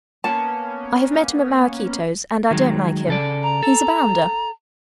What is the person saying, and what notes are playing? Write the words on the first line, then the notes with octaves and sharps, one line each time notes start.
I have met him at Maraquito's, and I don't like him. He's a bounder.
A#3 B3 C#4 A5
D#3 F#3 G#3
C#3 A4 D5
A#5
A4